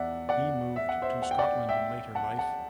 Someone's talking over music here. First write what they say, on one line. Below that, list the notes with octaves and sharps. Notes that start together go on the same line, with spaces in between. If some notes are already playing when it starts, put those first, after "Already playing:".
He moved to Scotland in later life.
Already playing: E2 D5 E5 F#5
D5 F#5
E5
F#5
C5 E5
F#5
G5
D5 F#5
E5 G5
F#5 A5
F#5 A5